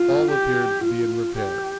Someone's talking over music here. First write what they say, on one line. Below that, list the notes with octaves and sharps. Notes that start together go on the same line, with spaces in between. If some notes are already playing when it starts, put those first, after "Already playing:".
All appeared to be in repair.
Already playing: F4
G4
F4
G4